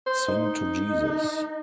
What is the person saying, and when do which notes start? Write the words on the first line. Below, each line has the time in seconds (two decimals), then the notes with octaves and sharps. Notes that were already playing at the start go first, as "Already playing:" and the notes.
Sing to Jesus!
0.06 C5
0.28 D#4